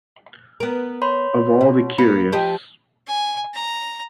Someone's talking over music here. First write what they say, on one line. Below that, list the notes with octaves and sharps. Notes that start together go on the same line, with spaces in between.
Of all the curious!
B3 A#4
C#5 B5 C6
B2
A#3 B5 C#7
F3 G4 D#5
G#5
A#5